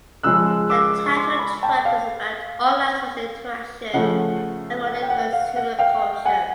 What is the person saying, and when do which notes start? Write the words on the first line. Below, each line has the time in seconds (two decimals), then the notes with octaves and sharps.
The title track is about online social interaction and modern consumer culture.
0.23 C#3 F3 G#3 E6 F#6
0.70 D6 E6
1.06 C#6
1.16 C6 D6
1.39 B5 C#6
1.63 G5 A5
1.85 F5
3.93 C#3 F3 A3 F#5
4.86 F#5
5.02 G5
5.10 F#5
5.33 F5
5.56 F#5
5.79 F5 G5
6.25 F#5 G#5